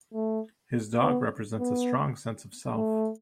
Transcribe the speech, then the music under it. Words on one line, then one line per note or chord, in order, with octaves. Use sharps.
His dog represents a strong sense of self.
A3
B3
B3
A3